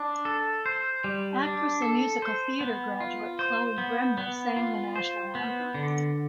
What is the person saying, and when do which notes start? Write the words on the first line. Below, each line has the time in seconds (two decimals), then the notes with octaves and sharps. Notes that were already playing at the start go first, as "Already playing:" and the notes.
Actress and musical theatre graduate Chloe Bremner sang the national anthem.
Already playing: D4
0.25 A4
0.66 C5
1.04 G3
1.43 D4
1.82 A4
2.22 C5
2.61 B3
3.00 F4
3.39 C5
3.78 B3
4.18 B3
4.57 F4
4.96 C5
5.35 B3
5.74 D3